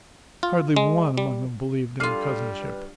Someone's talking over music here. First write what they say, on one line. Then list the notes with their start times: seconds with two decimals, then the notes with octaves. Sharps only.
Hardly one among them believed in the cousinship.
0.43 F4
0.76 G#3
1.18 G3
2.00 G3 D4 F4 A4 F6 C7 D#7
2.61 B4